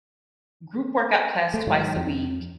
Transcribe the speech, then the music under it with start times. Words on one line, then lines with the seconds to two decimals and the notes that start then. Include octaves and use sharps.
group workout class twice a week,
1.54 A3
1.67 G#2 D#3 F#3
1.96 F2